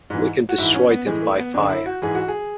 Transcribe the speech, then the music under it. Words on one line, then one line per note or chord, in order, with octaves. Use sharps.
We can destroy them by fire.
G#2 E3
F#4
G#2 E3 E4
C#4
B3
A2 E3 G#3
A3
B3
F#2 D3 D4
E4
F#4
G#2 E3 G#4
F#4
G#4